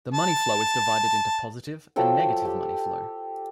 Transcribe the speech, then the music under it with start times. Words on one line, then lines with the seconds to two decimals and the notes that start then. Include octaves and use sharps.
The money flow is divided into positive and negative money flow.
0.14 A5
1.96 F3 F#3 A4 G5
2.45 G4